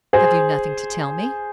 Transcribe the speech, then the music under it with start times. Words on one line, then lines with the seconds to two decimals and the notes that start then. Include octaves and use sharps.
"Have you nothing to tell me?"
0.13 G#4 C5